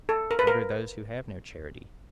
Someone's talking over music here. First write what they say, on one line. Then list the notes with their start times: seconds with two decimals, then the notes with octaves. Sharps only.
What are those who have no charity?
0.09 A4
0.31 A#4
0.39 B4
0.47 A#4